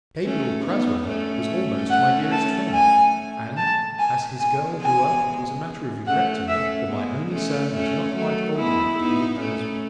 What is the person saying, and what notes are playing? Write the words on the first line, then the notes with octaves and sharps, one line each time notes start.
Gabriel Crasweller was almost my dearest friend, and as his girl grew up it was a matter of regret to me that my only son was not quite old enough to be her husband.
A3 C#4
B3 D#4
A3 C#4
F#5
A5
G#5
A5
G#5
G#3 B3 G#5
G#5
A3 C#4 F#5
A3 C#4 E5
G#3 B3
A3 C#4
A3 C#4
F#3 A3
G#3 B3 E4
B3 D#4
A3 C#4